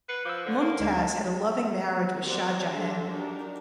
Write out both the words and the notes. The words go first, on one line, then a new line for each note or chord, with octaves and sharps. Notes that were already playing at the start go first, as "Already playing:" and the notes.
Mumtaz had a loving marriage with Shah Jahan.
B4 C7 C#7
F3 D6 E6
D3
A#3
D2 G#3 G#6
A#3 C4 F#4 G4 C5 D5
G#3 D4 G4 A4 C5 E5
D4 D#4 F#4 G4 A#4